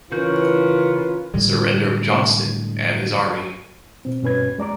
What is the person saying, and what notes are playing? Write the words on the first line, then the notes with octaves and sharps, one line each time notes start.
Surrender of Johnston and his army.
C#3 E3 C#4 F4 F#4 A#4 B4 G6
A2 D3 G3 G#3
B2 C4
G2 B2 C#4 B4 G#6
G#3 D5 A#5 D6